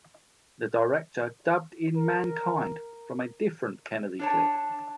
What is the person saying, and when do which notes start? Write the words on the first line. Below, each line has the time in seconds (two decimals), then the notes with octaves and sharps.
The director dubbed in "mankind" from a different Kennedy clip.
1.96 A#4
4.19 D4 C#5 A5